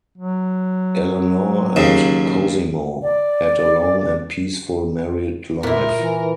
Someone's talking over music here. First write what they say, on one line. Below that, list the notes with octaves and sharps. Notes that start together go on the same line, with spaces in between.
Eleanor and Cosimo had a long and peaceful married life.
F#3
D#2 C#3
D5
A#2 E4 A#4
E3